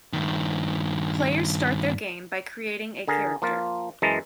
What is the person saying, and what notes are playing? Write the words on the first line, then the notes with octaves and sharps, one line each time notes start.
Players start their game by creating a character.
G2 D#3
D3 G#4 A#4
F3 A#3 F4
F#2 E3 G#3 A5 A#5